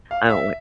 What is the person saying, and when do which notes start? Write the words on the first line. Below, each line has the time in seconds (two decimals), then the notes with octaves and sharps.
I don't li
0.11 F5
0.29 E5